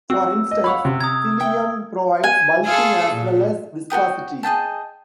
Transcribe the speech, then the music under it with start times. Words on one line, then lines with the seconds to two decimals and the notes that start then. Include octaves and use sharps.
For instance, psyllium provides bulking as well as viscosity.
0.10 C4 F#4 E6
0.51 D#5
0.64 C#5 F5 F#5 B5 C#6
0.85 C3
1.01 A#5 D#6 G#6
1.40 E5 G5
2.24 G#5
2.65 F4 G#4 A4
3.11 A#2
3.90 F#4 A#4 G5 D#6
4.43 G#4 D#5 G5 A5